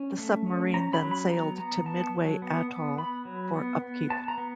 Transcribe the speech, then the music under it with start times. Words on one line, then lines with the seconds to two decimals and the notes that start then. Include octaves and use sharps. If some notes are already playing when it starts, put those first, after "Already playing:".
The submarine then sailed to Midway Atoll for upkeep.
Already playing: C#4
0.18 A3
0.46 C#4
0.74 C#4 A#5
0.93 B5
1.02 F#3
1.11 B5
1.30 B3 A#5
1.58 B3 A#5
1.86 B3 A5
2.14 F#3
2.42 B3
2.70 B3
2.97 B3 B5
3.25 F#3
3.53 B3
3.82 B3
4.10 B3 A5
4.28 A#5
4.38 B3